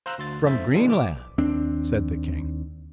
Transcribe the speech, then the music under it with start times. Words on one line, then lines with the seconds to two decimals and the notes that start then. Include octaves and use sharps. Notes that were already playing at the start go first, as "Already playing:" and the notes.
"From Greenland!" said the king.
0.06 C5 F5 A#5 E6 F#6
0.18 D2 C6 A6
0.44 F2 G#2 C5 E5 A6
0.74 A#2 D3 E3 F3 G3 G#3
0.90 D6
1.38 D#2 C4 D4